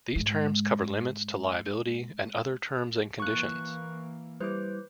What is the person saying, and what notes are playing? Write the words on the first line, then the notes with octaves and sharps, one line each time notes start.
These terms cover limits to liability and other terms and conditions.
G#2 G#3
E3 A#3 C#6 F#6
G3 E4 B4 C5 D6